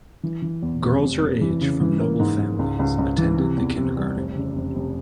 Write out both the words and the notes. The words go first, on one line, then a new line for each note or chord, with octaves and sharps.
Girls her age from noble families attended the kindergarten.
E3
E3
E2
F1
F1
F1
E3
C#3
E3
A#3
G#2
G#2
C#2
C#2
C#2
E3
C3
E2
C3
G3
F1
C#3
F1
F1